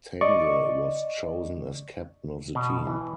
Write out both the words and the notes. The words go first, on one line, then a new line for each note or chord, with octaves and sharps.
Tange was chosen as captain of the team.
D5 D#5 C#6
B2
E3